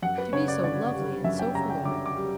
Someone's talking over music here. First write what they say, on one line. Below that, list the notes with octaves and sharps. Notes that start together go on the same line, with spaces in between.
To be so lovely and so forlorn!
F#2 F#5
B4
C#3 C#5
D5
G1 D5
G3
F#2 E5
G5
C#3 A#5
G5
G1 D6
D6
G3